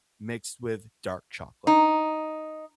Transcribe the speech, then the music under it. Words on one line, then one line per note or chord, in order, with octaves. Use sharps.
mixed with dark chocolate.
D#4